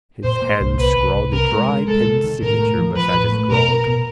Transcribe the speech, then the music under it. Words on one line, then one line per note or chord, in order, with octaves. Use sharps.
His hand scrawled a dry pen signature beside his grog.
A#2 C5
A#3
C2
C2 B4
C2
C2
C3 A#4
G#3
G#3
G#3 A4
C3
D#3
A2 A#4
A3
F3
F3 B4
A2
A3
B2 A#4
B2
B2